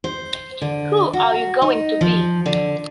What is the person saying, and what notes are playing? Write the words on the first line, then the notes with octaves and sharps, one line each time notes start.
Who are you going to be?
C5
D3
F#4
D#4
F3
D3